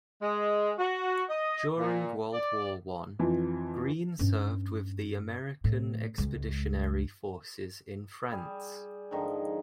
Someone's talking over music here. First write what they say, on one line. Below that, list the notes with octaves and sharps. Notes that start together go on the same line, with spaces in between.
During World War One, Green served with the American Expeditionary Forces in France.
G#3
F#4
D#5
A#2
D5
F2 E3 F3
G2 C#4
A2
C#2 G#3
G3 G#4
G#2 D3 D#3 F3